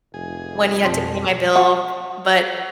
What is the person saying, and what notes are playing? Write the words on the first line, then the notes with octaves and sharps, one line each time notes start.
when he had to pay my bill, but
F1 G#4
F2 B2 F3 C4 C6
F#4